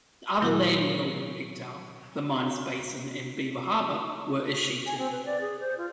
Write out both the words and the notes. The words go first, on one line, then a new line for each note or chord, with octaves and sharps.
Other land he held in Pictou, the Minas Basin, and Beaver Harbour were escheated.
A#2 D#3 F#3 E4 F#4
G#5
C4
B4
D5
G#4
C5
F4